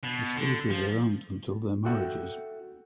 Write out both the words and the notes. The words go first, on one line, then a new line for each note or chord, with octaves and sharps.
They stayed with their aunt until their marriages.
B2
D3
F3
F#4 A4 E5 F#5 G5